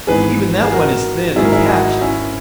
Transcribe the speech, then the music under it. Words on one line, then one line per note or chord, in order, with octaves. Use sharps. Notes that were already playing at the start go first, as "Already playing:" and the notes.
Even that one is thin and patched.
G#1 G#2 E3 B3 G#4 B4
G#4
F#4 A#4
G#1 G#2 F#3 E4 G#4
A#4
E4 G#4
D#4 F#4
D#4
C#4 E4